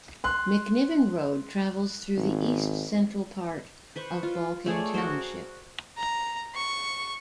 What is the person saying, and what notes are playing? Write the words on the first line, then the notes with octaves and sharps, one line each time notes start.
McNiven Road travels through the east-central part of Balkan Township.
C6 F#6
G#1
B4 C5 C#6
F4
A3 G#4 C#5 D5
F#4 A#4 C5
A#5
C#6